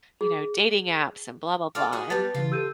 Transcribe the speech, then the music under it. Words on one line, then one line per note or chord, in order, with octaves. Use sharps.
you know, "dating apps, and blah blah blah," and,
G#4
F4 A4 D5
F#4 G#4
G3 B3 B4 A5 A6
C#3 E3 F4
G4 A4 E6 G6 D#7